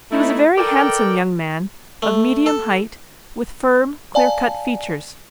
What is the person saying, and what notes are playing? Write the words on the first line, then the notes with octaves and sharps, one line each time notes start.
He was a very handsome young man, of medium height, with firm, clearcut features.
A3 D#4 E4
A4 A#4 D5 G5
A3
A4
D5 F5 G#5 A5